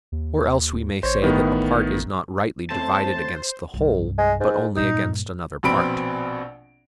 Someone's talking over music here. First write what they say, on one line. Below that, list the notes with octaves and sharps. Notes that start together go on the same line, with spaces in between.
Or else we may say that a part is not rightly divided against the whole, but only against another part.
D#2
A1 C5 C#5
A2 D#3 B3
C3 A3 C#4 C5 A5
C2 G2
G#3
G#2
G2 A#2 D#4
A#1 B2 C4 B5 D7